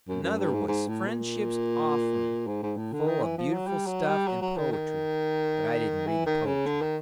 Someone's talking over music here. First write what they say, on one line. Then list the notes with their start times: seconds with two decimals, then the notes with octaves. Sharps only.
Another was Friendship's Offering, full of beautiful stuff and poetry; but I didn't read the poetry.
0.08 F#2
0.23 F#2
0.39 G2
0.53 G#2
0.68 G#2
0.88 A2
1.07 A#2
2.47 G#2
2.63 G#2
2.77 A2
2.93 D3
3.07 D#3
3.23 E3
3.38 F3
3.53 F#3
3.67 G3
3.87 F#3
4.08 G3
4.27 F#3
4.41 F#3
4.57 D#3
4.72 D#3
6.07 E3
6.26 D#3
6.45 C#3
6.66 D3
6.82 D#3